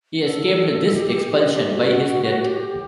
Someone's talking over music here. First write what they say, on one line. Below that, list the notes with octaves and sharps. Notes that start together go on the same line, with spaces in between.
He escaped this expulsion by his death.
B4
A4
G4
G4
F#4
G4